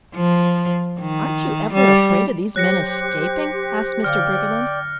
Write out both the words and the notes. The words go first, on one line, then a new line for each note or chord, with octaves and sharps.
"Aren't you ever afraid of these men escaping?" asked Mr. Briggerland.
F3
D#3
G3
F#3 G4 C5 C#5 F#6 A#6 C#7
D3 D5 F5 G5 F6